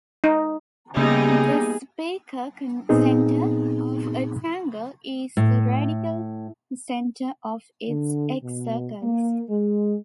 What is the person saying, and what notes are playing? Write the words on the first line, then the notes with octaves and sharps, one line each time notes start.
The Spieker center of a triangle is the radical center of its excircles.
D#4
C#3 G3 A#3 B3 D#4 G#4
A#2 B3 C4 D#4 G#4
A2
D3
B2
A#3
G#3